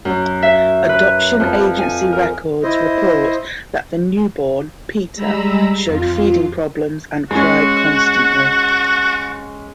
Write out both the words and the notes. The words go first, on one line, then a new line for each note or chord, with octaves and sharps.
Adoption agency records report that the newborn, Peter, showed feeding problems and cried constantly.
F#2
E5
B4
F2
G#5
A#4
E4 C5 D#5
G3 G#3 A#5 B5 E6
F2 F4
G#3 C#4 F#4